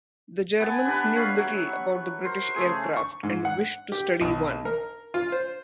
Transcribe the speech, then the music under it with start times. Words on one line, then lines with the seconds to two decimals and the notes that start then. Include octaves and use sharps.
The Germans knew little about the British aircraft and wished to study one.
0.60 B3 G#5 A5
0.85 B3 D4 G4 B4
1.14 B4 C#5 E5 F5
1.38 F#3
2.24 A#4 C5
2.56 C#3 A3 G#4
2.97 C#6
3.23 G#2
3.45 F#5
3.92 G4
4.21 B1
4.65 A#4
5.14 F4
5.32 C5